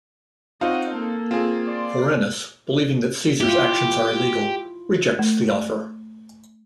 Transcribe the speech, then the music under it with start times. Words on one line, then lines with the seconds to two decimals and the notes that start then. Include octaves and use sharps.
Vorenus, believing that Caesar's actions are illegal, rejects the offer.
0.61 C4 D4 D#4 F4 C#5 D#5 F#5
0.92 A#3 A4
1.31 C4 F4 G#4
1.67 D5 C6
3.41 E4 F4 G4
5.19 A3